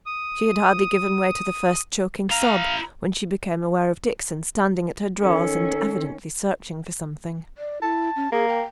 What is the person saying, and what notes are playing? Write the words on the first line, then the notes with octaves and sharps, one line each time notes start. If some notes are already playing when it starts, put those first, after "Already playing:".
She had hardly given way to the first choking sob, when she became aware of Dixon standing at her drawers, and evidently searching for something.
D#6
E4 F5 A#5
D#3 C#4 A4
D5
E4 A5
C#4
A#3 G#4
G5